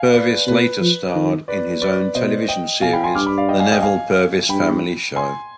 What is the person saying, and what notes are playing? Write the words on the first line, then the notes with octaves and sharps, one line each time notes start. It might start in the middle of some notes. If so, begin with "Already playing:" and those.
Purvis later starred in his own television series, The Neville Purvis Family Show.
Already playing: F5 G#5
B4 D5
B2 B4
F3
D#3
B4 D5
B4 D5
B2 C5 D#5
D#5 G5
B2 F5 G#5
G5 B5
G#5 C6
G2 D6 F6
B5 D6
D5 F5
D#5 G5
F5 G#5
D#5 G5
F5 G#5
G2 G5 B5
G#5 C6